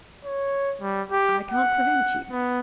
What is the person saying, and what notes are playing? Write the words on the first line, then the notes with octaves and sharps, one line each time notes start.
"I can't prevent you."
C#5
G3
G4
F#5
B3